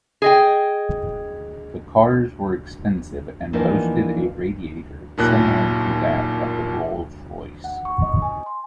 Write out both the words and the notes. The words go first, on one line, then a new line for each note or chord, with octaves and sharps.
The cars were expensive and boasted a radiator similar to that of the Rolls-Royce.
G#4 D#5 G5
E3 F3 A#3 B3 D4 D#4
F#1 D#2 A#2 F#6
F#5
C#6
D#5
G#5
C6